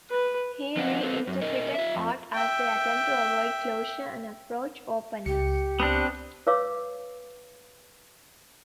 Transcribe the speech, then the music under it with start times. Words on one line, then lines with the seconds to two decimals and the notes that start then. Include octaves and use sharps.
He reinterpreted art as the attempt to avoid closure and approach openness.
0.10 B4
0.77 F3 C4 B4 D#5 F5 F#5
1.01 C4 A4 B4 C5
1.27 F#2
1.41 C#4 A#4 D#5
1.75 F4 E5
1.95 F2
2.34 E5 G5
5.26 C#2 G4 C#7
5.80 B3 C4 D4
6.47 B4 C#5 F5 D6 E6